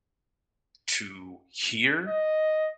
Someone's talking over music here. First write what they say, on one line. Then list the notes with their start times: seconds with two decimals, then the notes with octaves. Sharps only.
to hear
2.08 D#5